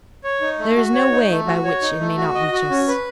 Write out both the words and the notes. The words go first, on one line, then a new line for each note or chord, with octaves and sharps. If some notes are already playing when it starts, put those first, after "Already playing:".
There is no way by which it may not reach us.
C#5
D#4
A3
F#4
C#5
D#4
A3
F#4
C#5
D#4
A3
F#4
D#5
F#4
C#4
B4